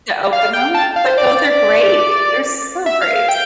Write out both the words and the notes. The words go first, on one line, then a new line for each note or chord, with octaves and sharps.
to open them? But those are great, they're so great.
F5
G5
A5
F5
C5
D5
E5
F5
F5
G5